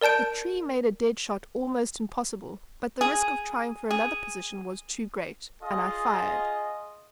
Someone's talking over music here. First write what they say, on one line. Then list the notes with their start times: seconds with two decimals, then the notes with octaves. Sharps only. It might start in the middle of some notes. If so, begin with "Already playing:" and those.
The tree made a dead shot almost impossible, but the risk of trying for another position was too great, and I fired.
0.01 A#4 D5 A5 G6 D7
3.01 G#4
3.91 G#4
5.63 F4 G#4 D#5